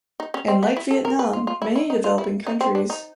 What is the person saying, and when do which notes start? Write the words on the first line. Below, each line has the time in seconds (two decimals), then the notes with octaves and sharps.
And like Vietnam, many developing countries.
0.20 D#4
0.34 C#4
0.48 C4
0.63 B3
0.77 E4
0.91 A4
1.05 A#4
1.19 B4
1.33 F4
1.47 F4
1.62 E4
1.76 E4
1.90 D#4
2.04 F4
2.18 E4
2.47 D#4
2.61 C4
2.75 D4
2.90 D#4